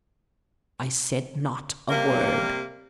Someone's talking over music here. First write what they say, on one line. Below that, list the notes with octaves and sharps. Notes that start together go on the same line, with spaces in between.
I said not a word.
C3 G3 A#3